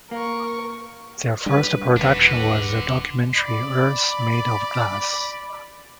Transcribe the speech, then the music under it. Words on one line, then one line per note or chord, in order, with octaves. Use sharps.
Their first production was the documentary "Earth Made of Glass".
A#3 A#4 C#6
G3 D4 B4
D#1 D3 D4 F#4 B4
D5 B5